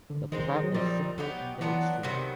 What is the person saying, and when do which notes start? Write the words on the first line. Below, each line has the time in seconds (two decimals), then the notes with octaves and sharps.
The plot is simple in the extreme.
0.10 D3
0.32 D#3 G#3 C4 D#4
0.53 D#3
0.63 F#3
0.74 A#2 F3 G3 C4 D#4
1.18 F#3 B3 D#4 G4
1.60 E3 F#3 B3 D4 F4
2.03 C3 D#3 F#3 B3